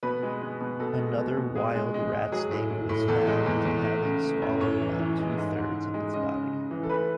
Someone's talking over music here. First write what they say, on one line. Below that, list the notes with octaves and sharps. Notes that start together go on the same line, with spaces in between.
Another wild rat snake was found having swallowed about two-thirds of its body.
B2 B4
G#3
G#3
B2
B2 A4
G#3
B2
B2
G#3 G#4
G#3
G#3
G#3
F#3 G#4
A2
A2
A2
E2 A4
G#3
E2
E2
A3
C#3
A3
F#2
A2 C#5
E3
E3
G#3
G#2 D#5
G#2
G#2
G#3
C#3 D#5
C#3
C#3
E3
A4
A3 B4